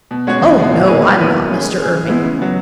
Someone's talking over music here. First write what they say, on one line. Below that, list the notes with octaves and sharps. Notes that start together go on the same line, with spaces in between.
Oh, no, I'm not, Mr. Irving.
B2
G#3 C#4 F#4 C#5
E2
B2 G#3 B3 D#4
A#2
A#3 D#4 G#4 B4
F#3
B3 E4 B4
D#3
G#3 C#4 G#4
G#3
C#4 G#4
E3
G#3 B3 E4
C#3
F#3 B3